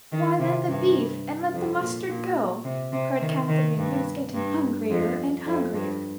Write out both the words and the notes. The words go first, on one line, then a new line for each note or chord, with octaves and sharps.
"Why, then, the beef, and let the mustard go," cried Katharine, who was getting hungrier and hungrier.
D#3
C3
G2
F2
A#2
A#2
C3
C3
D#3
D#3
G2
G2
F2
F2
G2